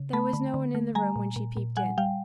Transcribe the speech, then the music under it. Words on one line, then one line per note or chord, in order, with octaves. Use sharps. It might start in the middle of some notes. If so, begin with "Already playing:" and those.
There was no one in the room when she peeped in.
Already playing: C#3
A3 A5 B5
D3
D3
A3
G3 G#5 A#5
A#2
A#2
A#2
G3 F#5 G#5
G3 F5 G5